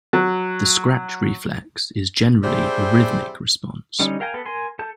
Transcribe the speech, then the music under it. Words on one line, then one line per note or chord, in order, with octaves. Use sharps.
The scratch reflex is generally a rhythmic response.
F#3
G3 C4 D4 E4 G#4 C5
D3 G3 C#4 D#4
A#4 F5 G5 G#5 A#5
B3 A4 B4
A#4 G#5 C6
A4 A5 G6